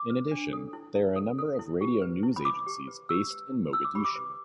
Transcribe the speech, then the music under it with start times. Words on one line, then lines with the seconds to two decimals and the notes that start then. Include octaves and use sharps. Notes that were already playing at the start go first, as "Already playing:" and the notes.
In addition, there are a number of radio news agencies based in Mogadishu.
Already playing: D6
0.10 B4
0.31 D4
0.53 A4
0.73 E4
0.95 E4
1.16 A4
1.38 A4
1.59 E4
1.81 G4
2.02 B4
2.23 E4
2.36 B5
2.45 E4 D6
2.66 G4
2.88 B4
3.09 G4 E6
3.30 B4
3.52 E4
3.73 E4 E6
3.85 D6
3.95 G4 B5
4.05 D6
4.16 B4